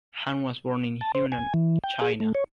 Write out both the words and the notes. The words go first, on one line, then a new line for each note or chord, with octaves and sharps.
Han was born in Hunan, China.
A5
C5
G#5
E3
G5
G#4
A3
C#5